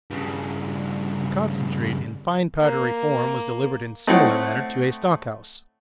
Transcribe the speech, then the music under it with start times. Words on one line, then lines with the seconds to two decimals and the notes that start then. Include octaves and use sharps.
The concentrate, in fine powdery form, was delivered in similar manner to a stock-house.
0.10 G2 C#3
2.60 A#3
4.07 A3 C4 D#4 E4 C#5 F#5